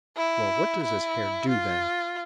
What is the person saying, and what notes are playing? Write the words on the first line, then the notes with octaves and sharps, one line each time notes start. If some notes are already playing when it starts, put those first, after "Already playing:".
"Well, what does his hare do, then?"
E4
E4
F4